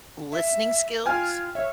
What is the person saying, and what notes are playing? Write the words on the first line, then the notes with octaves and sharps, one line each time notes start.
listening skills,
E5
F4 G5 G#5 F6
C#5 E5